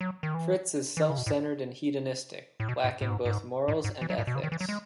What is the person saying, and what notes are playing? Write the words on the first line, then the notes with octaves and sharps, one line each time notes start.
Fritz is self-centered and hedonistic, lacking both morals and ethics.
F#3
D#3
E3
E3
D#3
C#3
B2
A2
A2
B2
A2
A2
G#2
G#2
A2
G#2
E3
F#3
A2
B2
C#3
D#3
E3
F#3
G#3